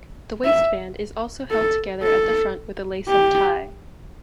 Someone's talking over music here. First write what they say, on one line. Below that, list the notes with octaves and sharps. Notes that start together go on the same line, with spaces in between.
The waistband is also held together at the front with a lace-up tie.
E5
A4
A4
G4